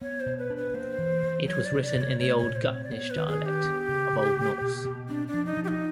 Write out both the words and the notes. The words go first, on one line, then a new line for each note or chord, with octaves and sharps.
It was written in the Old Gutnish dialect of Old Norse.
B3 C#5
C5
B2
B4
D4
B4
A#3 C5
E3
E3
F#3 C#5
D5
C3
D5
C3
C#5
A3 C#5
C#5
A#2
C5
C4
C#5
D5
B3 C#5
B4
D#3
G#4
D4
G4
B3
C#3
C#3
A#3
B2
B2
C4 D4
D4
F3
D#4
F3
G4
D#4